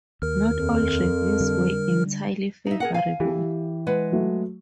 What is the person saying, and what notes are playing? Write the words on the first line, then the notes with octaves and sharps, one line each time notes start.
Not all reviews were entirely favorable.
D#2 A#4 F6
F2
D3 G3
D#4 E5
G#4 A#4 F#5
F5 G#5
E3 G4
G#3 B4 F#5
F#3 A3